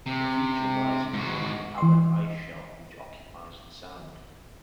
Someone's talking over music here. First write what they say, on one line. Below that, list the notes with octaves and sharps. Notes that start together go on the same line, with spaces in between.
The feature rises above the Abbot Ice Shelf which occupies the sound.
C3
G#2 F#4
E3 C6